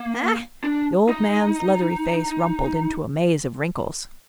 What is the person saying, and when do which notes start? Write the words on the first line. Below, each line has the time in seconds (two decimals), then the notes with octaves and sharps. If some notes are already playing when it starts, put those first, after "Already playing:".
"Ah?" The old man's leathery face rumpled into a maze of wrinkles.
Already playing: A#3
0.64 D4
1.09 D#4